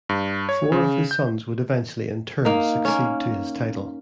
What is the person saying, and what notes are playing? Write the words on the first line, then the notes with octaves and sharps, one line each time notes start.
Four of his sons would eventually in turn succeed to his title.
G2
C#5
C#3
G6
A#3 D#4
A#3 C#4